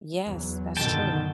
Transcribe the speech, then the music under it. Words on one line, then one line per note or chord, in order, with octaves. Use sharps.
Yes, that's true.
E2 F#3
F#2 B2 D3 D#3 G5 A5